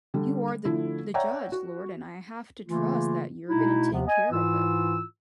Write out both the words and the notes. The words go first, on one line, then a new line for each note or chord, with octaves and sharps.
you are the the judge, Lord, and I have to trust that you're gonna take care of it.
D3 G3
D3 F3 A3 E4
C#5 D5 E5 F#5 G5 A#5
F#4
C#3 E3 A3 A#3 F4
B2 A3 D#4 E4
D#2 C3 F3 B3
D#5 G#5
G#2 E3 E4 F4 E6